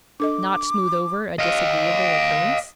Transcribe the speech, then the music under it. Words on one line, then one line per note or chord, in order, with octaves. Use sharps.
'Not smooth over a disagreeable occurrence?'
D4 A4 D#5 D6
D#5 F5